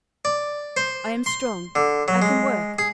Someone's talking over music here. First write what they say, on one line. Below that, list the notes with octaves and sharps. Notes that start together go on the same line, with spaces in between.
I am strong. I can work.
D5
C5
C6
D3
F#3
G#3
G#4